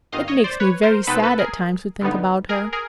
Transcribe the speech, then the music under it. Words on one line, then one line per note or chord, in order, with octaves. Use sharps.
It makes me very sad at times to think about her.
G1 G2 D#3 D#5 F5
C#5 D#5
C5 D5
B4 C#5
A#4 C5
B2 G#3 C4 D#4 A4 B4
A4 B4
G#4 A#4
G2 D3 G3 B3 D#4
G#4 A#4
G#4 A#4